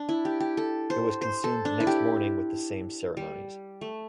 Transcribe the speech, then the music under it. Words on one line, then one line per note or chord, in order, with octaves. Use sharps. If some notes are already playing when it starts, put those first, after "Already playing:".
It was consumed next morning with the same ceremonies.
Already playing: D4
E4
G4
G4
A4
C5
C5
A4
D4
E4
G4
G3
A3